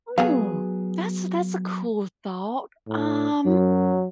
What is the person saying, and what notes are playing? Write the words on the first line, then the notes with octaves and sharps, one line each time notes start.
Oh, that's a that's a cool thought, um
F#3 B3 F#4 G#4 F5
A2
F#2 F#3